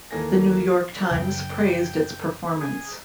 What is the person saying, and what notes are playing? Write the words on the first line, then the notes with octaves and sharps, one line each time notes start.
The New York Times praised its performance.
D#2 E3 A#3 A4 G#5 A#6
F#2 C#3 G5
G#4